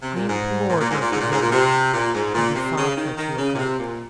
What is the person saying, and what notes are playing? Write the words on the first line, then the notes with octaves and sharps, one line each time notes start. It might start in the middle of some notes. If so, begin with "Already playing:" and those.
I implored her forgiveness. I besought her to look up.
C3
A#2
G#2
A#2
A#2
G#2
A#2
G#2
A#2
G#2
A#2
C3
A#2
G#2
A#2
C3
C#3
D#3
D#3
C#3
A#2
C3
A#2